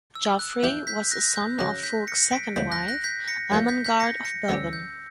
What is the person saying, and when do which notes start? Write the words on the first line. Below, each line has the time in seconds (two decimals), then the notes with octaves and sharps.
Geoffrey was a son of Fulk's second wife, Ermengard of Bourbon.
0.15 E6
0.39 F#6
0.63 E3 B3 E4 G4 G6
0.87 G6 B6
1.11 F#6 A#6
1.36 G6
1.59 C#3 F#3 C#4 F#6 A#6
1.83 G6 B6
2.07 A#6 C#7
2.32 B6 D7
2.56 D2 C#3 E3 G3 B3 G6 B6
2.71 F#6 A#6
2.88 F#6 A#6
3.04 G6 B6
3.28 A#6 C#7
3.52 F#2 E3 A#3 G6
3.68 G6 B6
3.85 G6 B6
4.00 A#6 C#7
4.25 A#6 C#7
4.48 D2 D3 G3 C#4 G4 E6
4.73 G6